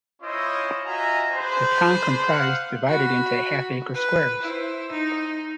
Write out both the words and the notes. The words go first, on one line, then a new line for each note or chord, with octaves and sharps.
The town comprised divided into half-acre squares.
C#4 E4 F4 C5 C#5 D#5
F4 F#4 D#5 E5 G#5 A#5
D4 G#4 B4 C5
F5 F#5
F#4 B5
B4
E4 C5
D#4